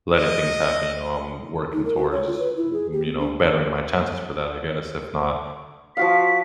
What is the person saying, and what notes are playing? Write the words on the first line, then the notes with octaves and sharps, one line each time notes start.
letting things happen, you know? I'm working towards, you know, bettering my chances for that, I guess. If not,
D#5
D#4
A#4
F#4
C#5
F4
B4
E4
G#4
G4
B3
D4
F3 F#4 F5 B6